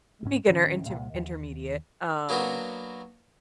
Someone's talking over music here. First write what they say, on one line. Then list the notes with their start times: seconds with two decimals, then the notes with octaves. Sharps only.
beginner inter intermediate, um,
0.23 D2 G#2 C#4
0.47 D1 D#3 C#4
0.86 C2 A#2
1.14 D#2
2.29 F#3 A#3 B3 D4 F#4